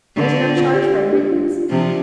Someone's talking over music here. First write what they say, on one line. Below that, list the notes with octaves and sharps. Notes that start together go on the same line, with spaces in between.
There's no charge for admittance.
D3 D4
F4
F4
G4
G4
D4
F4
D4
C3 F3